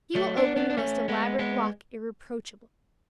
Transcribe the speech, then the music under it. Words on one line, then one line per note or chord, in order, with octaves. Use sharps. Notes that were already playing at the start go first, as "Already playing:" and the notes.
He will open the most elaborate lock irreproachably...
F#3 A3
B3 D4
B3 D4
D4
A3 C#4
G#3 B3
G#3 B3